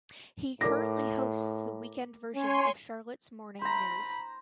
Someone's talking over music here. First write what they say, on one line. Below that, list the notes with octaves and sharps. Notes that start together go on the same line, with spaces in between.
He currently hosts the weekend version of "Charlotte's Morning News".
A2 A#4 D6 A#6
C#4 C#5 G#5 C6
C5 A#5 B5